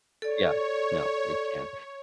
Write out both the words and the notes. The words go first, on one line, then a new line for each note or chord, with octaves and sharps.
Yeah. No. It can't.
A4 C#5 D5